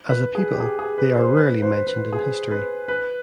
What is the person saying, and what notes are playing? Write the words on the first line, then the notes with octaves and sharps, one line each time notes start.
As a people they are rarely mentioned in history.
B4
G#4
G4
G#4
G#4
B4
C5
B4
C5
B4
G#4
B4
B4